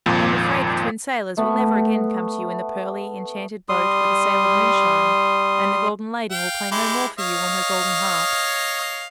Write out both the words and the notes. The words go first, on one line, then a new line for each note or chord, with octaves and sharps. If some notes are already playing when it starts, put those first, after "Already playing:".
I am afraid the Twin Sailors will never again come to you in the pearly, enchanted boat with the sail of moonshine; and the Golden Lady will play no more for you on her golden harp.
G#1 F2 A#2 F3
A3 B3
G3 C6 D#6
F5 G5
G#3 E4 G4
C#5 D#5 F5